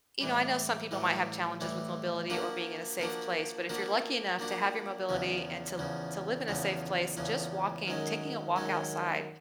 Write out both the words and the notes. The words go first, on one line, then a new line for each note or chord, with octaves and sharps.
you know, I know some people might have challenges with mobility or being in a safe place, but if you're lucky enough to have your mobility and to to live in a safe place, just walking taking a walk outside,
A2 E3 G3
A2 E3 G3
A2 E3 G3
F3 A#3 D4 F#4
F3 A#3 D4 F#4
F3 A#3 D4 F#4
F3 A#3 D4 F#4
E2 C#3 F3
E2 C#3 F3
E2 C#3 F3
E2 C#3 F3
F#2 D#3 G#3 C#4
F#2 D#3 G#3 C#4